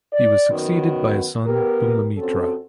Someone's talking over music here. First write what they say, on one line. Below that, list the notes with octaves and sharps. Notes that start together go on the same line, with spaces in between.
He was succeeded by his son Bhumimitra.
D5
F#2 D#3 B3 F#4
B3 G4 A#4
F2 C4 C#4 F#4 A4